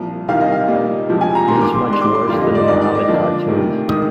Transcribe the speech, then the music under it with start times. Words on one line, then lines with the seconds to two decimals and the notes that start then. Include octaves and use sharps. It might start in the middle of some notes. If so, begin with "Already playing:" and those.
This is much worse than the Muhammad cartoons.
Already playing: C2 A#2 F3
0.28 C2 C3 D#3 F5
0.41 D#5
0.52 F5
0.68 A#2 G3 A#3 D#4
1.09 C3 F3 G#3
1.21 G#5
1.35 A#5
1.48 G#2 D#3 A#3 C6
1.61 D6
1.73 C6
1.88 G#2 G3 D4 C6
2.01 D6
2.15 C6
2.28 F2 D3 G3 A#3 F4 C6
2.41 D#5
2.55 D5
2.64 D#5
2.68 G#2 D#3 G#3 D#4 D5
2.81 D5
2.95 D#5
3.08 D3 F3 A#3 D4
3.48 D2 C3 D#3
3.88 C3 D#3 G#3 D#6